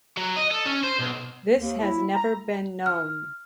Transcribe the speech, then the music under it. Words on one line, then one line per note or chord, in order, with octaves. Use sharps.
This has never been known.
F#3
D#5
A4
C#4
C5
B1
D#2
E4
A#5
F6